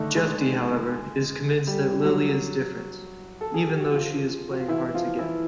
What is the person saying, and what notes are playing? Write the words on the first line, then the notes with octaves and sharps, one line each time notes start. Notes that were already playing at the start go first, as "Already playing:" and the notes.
Jefty, however, is convinced that Lily is "different", even though she is playing hard-to-get.
Already playing: D3 D#3 A3 D4 D#4 A4
G#3 G#4
G3 G4
F#3 F#4
A4
G#4
G4
F#4
F3 F4
F#4
F4
E3 E4
F3 F4
E3 E4